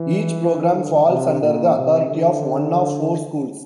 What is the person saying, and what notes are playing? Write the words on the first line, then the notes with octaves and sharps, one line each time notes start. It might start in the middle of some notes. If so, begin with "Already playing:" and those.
Each program falls under the authority of one of four Schools.
Already playing: E3
D3
C3
A#2
C3
D3